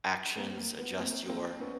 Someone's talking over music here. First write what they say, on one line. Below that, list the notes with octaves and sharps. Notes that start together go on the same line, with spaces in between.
actions, adjust your,
A#3 C4
A#3
B3
A#3 C4
A#3 C4
B3 C#4